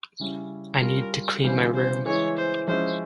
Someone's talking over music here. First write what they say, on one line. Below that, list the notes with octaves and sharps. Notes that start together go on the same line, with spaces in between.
I need to clean my room.
C#3 G3 C#4 E4
G3 C#4 F4 A#4
C#3 E3 G3 C4 C5
C5
E3 G#3 E4 C#5
C5
F3 G#3 C#4 E4 C5